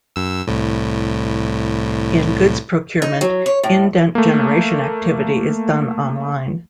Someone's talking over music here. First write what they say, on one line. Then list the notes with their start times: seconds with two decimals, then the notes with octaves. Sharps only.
In goods procurement, indent generation activity is done online.
0.16 F#2 E6
0.47 C2 A2
3.02 D#4
3.21 F#3
3.46 C#5
3.63 A2
4.15 A3 A#3